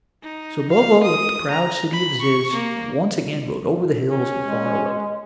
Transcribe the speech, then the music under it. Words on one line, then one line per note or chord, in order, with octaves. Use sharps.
So Bobo left the proud city of Zizz, and once again rode over the hills and far away.
D#4
F5
D#6
A#5
B5
C#6
A#3
C#4
G#3